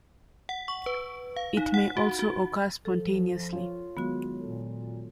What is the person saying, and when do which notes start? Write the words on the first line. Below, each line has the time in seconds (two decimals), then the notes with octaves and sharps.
It may also occur spontaneously.
0.49 F#5
0.68 C#6
0.86 B4
1.36 F5
1.57 D#4
1.74 F#5
1.97 F#4
2.19 F#4
2.85 F3 A4
3.53 F4 C#5
3.97 D#3 F#3 G#3 B3 F#4
4.41 A#2 A4